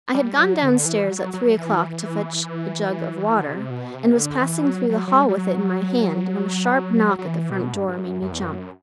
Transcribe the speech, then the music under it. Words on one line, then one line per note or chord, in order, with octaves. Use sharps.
I had gone down-stairs at three o'clock to fetch a jug of water; and was passing through the hall with it in my hand, when a sharp knock at the front door made me jump.
G3
F#3
D3
E3
F#3
F#3
E3
D3
C3
B2
C3
D3
E3
F#3
F#3
F#3
G3
G3
F#3
F#3
E3
B2
G2
G2
F#2
F#2
E2
F#2